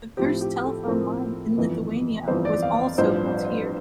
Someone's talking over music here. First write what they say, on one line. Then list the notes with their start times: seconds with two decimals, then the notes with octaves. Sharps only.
The first telephone line in Lithuania was also built here.
0.17 A2 F3 C4 G4
0.41 G4
0.64 A4
0.84 A4
0.87 A2 F3 C4 A#4
1.57 G1 F2 E3
2.27 G1 F2 E3 C5
2.45 D5
2.62 F5
2.98 A1 G2 F3 C5